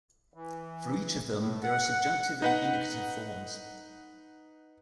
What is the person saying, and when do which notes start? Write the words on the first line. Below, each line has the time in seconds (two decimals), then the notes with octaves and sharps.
For each of them, there are subjunctive and indicative forms.
0.34 E3
1.35 A2
1.63 F#5
2.42 D#4 B4 F#5